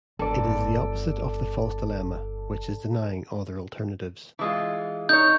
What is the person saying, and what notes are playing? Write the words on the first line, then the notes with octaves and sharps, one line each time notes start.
It is the opposite of the false dilemma, which is denying other alternatives.
G1 A4 D5
E3 G#3 F4
D#4 A#4 C#5 G6